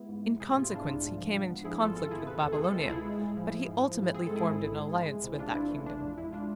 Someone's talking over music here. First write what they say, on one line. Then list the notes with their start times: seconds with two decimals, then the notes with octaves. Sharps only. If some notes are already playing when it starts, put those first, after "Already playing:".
In consequence he came into conflict with Babylonia, but he ultimately formed an alliance with that kingdom.
Already playing: G#3 B3 E4
0.09 G#2
0.25 G#2
0.40 C3 G#4
0.52 C3 F4
0.64 E4
0.71 C3 D4 F4
0.86 C2
1.03 G#2
1.18 F3
1.34 G#2
1.49 B3
1.64 F3 E4 G#4
1.80 G#1 F4 A4
1.96 G#1 F4 A4
2.11 G#1 E4 G#4
2.27 C3 B4
2.40 D2 A4
2.52 G#4
2.58 C4
2.64 F4 A4
2.74 G#3
2.82 A4
2.89 G#3 E4 G#4
3.05 G#3
3.21 A2
3.37 F3
3.52 F3
3.68 G#2
3.83 F3
3.99 G#2
4.14 C4 G#4
4.26 G#3 A4
4.36 E4 G#4
4.46 G#2
4.62 G#1
4.77 G#3
4.93 G#3
5.09 C2
5.24 C3
5.39 A1 D4 F4
5.52 E4
5.55 E3 D4
5.71 A3
5.86 A1 D4
6.02 F2
6.17 G#3 E4
6.33 D4 F4